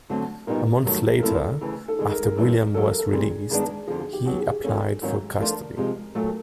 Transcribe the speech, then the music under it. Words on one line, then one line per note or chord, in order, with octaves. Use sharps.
A month later, after William was released, he applied for custody.
D2 D3 F#3 A3 C4
A#2 G3 B3 D#4 F#4 A#4
G2 D#3 F#3 A3
A#4
F3 A3 C4 E4 A4
D2 C#3 E3
A4
D#2 D#3 G#3 G#4
A#4
A#4
G2 E3 G3 C4
D#2 D#3 F#3 A#3 A4
A#4
A4
A#2 G3 C4 G#4
G2 D#3 G#3 B3 D4
F2 D3 F3 G#4
G#4
G4
B2 F#3 B3 G4
G#4
G#4
F3 A#3 C#4 A4
G#2 D#3 F#3 A#3 C#4
F3 A3 D4 F4 A#4
C3 F3 G#3
A#2 F#3 A3 A4
A#4